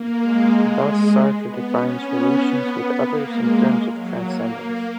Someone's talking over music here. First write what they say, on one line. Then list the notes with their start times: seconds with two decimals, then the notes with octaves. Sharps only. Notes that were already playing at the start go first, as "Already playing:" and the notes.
Thus, Sartre defines relations with others in terms of transcendence.
Already playing: A#3
0.20 G#3
1.45 B3
1.75 C#4
2.06 B3
2.99 A#3
3.30 G#3
3.92 F#3
4.24 A#3